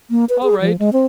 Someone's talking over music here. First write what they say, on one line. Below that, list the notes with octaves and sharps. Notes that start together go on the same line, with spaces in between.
All right.
A#3
B4
G#4
F3
G#3
C4